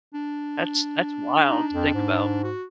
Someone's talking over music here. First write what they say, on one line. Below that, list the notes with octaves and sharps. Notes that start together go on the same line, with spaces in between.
That's that's wild to think about.
D4
D#4
F2
G#2
F#4